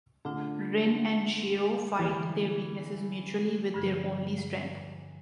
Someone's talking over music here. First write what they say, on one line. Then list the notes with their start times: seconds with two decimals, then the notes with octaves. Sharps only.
Rin and Shirō fight their weaknesses mutually, with their only strength.
0.25 D3 A3 D4 F4
1.99 D3 E3 G3 A#3
3.74 G2 D3 F3